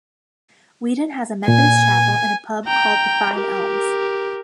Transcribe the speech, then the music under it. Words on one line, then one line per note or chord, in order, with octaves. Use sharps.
Weedon has a Methodist Chapel and a pub called the Five Elms.
A#2 G#5
G5 A#5
G4 A#4